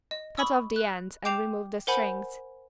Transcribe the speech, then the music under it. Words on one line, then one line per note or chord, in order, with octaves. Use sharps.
Cut off the ends and remove the strings.
D#5
B5 C#6 D#6 E6
F#6
G5 D6 G6 C7 E7 F7
A#4 C5 F#5 G#5 B5 G6